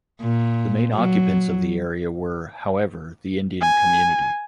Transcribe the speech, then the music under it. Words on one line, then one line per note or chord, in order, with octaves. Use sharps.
The main occupants of the area were, however, the Indian community.
A#2
F#3
G#5